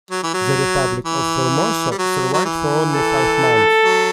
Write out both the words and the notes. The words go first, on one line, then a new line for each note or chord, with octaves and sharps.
The Republic of Formosa survived for only five months.
F#3
E3
F#3
E3
G3
F#3
F#3
E3
A4
F#3